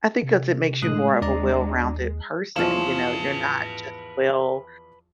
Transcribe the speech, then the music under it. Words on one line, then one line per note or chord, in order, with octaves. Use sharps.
I think 'cause it makes you more of a well-rounded person, you know? You're not just well
C3
A2 G#3 D#6 F#6
D#2 D4 D5 A#5
E2 F3 F4 B4 C#5 F5 A5